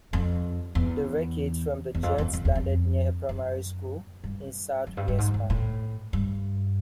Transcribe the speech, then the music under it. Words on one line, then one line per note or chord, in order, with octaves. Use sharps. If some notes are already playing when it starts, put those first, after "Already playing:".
The wreckage from the jets landed near a primary school in South Wiesmoor.
F2
E2
E2
F2
E2
F2
E2
F2
F#2
G2
F#2
G2
G2
G#2
G#2
A2
G2